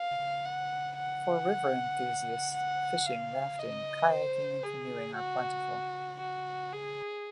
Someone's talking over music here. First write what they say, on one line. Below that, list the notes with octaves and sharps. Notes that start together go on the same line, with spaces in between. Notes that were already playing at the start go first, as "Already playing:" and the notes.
For river enthusiasts, fishing, rafting, kayaking and canoeing are plentiful.
Already playing: F5
F#5
F#5
F#5
F5
D#5
C5
G#4
F#4
F#4
G#4